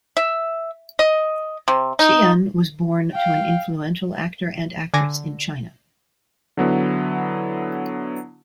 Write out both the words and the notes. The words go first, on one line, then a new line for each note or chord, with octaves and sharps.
Tian was born to an influential actor and actress in China.
E5
D#5
C3
D#4
F5 G5
D3 G#5 D6 G#6 A#6
D3 F#3 B3 E4